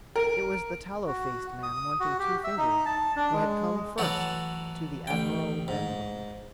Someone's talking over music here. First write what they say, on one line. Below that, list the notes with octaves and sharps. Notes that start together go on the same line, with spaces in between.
It was the tallow-faced man, wanting two fingers, who had come first to the Admiral Benbow.
A#4
F#4
D#6
F#4
G4
E5
D#4
A5
D4
G#3
E3 F#3 A3 F#4 A4
A1 G5
G#2